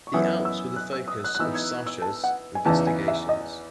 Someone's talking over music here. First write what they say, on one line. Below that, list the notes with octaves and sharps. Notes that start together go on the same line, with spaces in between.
The Alps were the focus of Saussure's investigations.
C#6
F#2 E3 B3 E4 D#6
E6
F#6
E6
D#6
F#6
F#6
E3 B3 D#4 E6
G#6
E6
A5
F#5
G#5
E2 C#3 E3 B3 D#4 A5
G#5
E5
D#5